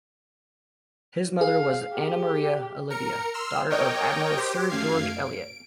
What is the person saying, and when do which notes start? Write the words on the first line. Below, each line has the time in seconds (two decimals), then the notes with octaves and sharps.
His mother was Anna Maria Olivia, daughter of Admiral Sir George Elliot.
1.41 G#4 F5
1.95 G4
2.90 A#4 C#7
3.34 C6 E6 F6
3.70 A#4 C#5 D#5 G5 D6
4.37 G4 C5
4.69 F#2 A3 F5 G#6 C7
5.08 D7